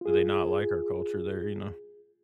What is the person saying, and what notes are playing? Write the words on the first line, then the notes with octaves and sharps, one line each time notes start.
do they not like our culture there, you know?
F4 G#4